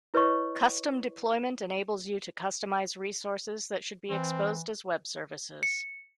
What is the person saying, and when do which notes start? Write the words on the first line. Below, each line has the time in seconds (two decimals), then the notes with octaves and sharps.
Custom deployment enables you to customize resources that should be exposed as Web services.
0.14 E4 B4 C#5 D#5 C#6
4.10 E3 C4
5.63 C#7